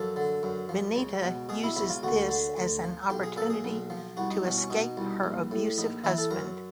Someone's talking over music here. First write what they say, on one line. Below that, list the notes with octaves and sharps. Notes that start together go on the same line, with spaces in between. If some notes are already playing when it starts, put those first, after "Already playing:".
Benita uses this as an opportunity to escape her abusive husband.
Already playing: F#2 F3 A4
D3
F#2
F3
C#2
B2
B2 G#4
E4
C#2 E4
F4
D2 F#4
D3
D2
F3
B1 G4
G#4
A#2 A4
G#4
B1
F3
C2 F#4
D#4
B2 C#4
C#4
B2 D#4
C2
A#1
A2
A#1 D#4
E3 E4
A4
F#2 A#4